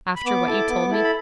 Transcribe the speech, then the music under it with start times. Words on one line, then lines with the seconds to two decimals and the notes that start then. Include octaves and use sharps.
After what you told me?
0.16 B5
0.25 B3 D6
0.47 E4 A4
0.69 B3
0.90 E4 A4
1.04 B5